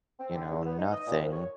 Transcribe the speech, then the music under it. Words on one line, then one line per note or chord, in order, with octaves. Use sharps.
you know, nothing
C4
D3
E2
B3
D#4
D#5
A#2
C2
C#5